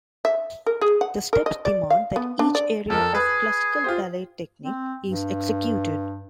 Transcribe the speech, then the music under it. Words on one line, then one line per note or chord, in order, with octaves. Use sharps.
The steps demand that each area of classical ballet technique is executed.
E5
A#4
G#4
F#5
A#4
D#5
D5
F5
B3
D4
D5
F2 A4 A#4
G#4 B4 B5
F4 G4 C5
C4
G2